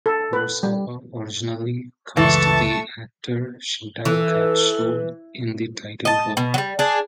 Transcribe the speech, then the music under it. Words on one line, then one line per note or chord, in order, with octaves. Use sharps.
Kurosawa originally cast the actor Shintaro Katsu in the title role.
A4
B4
G3
C#2 F#2 E3 A3 A5 C#6
E3 A4
D#5 A5
B2
F#3 G3
D4 G#4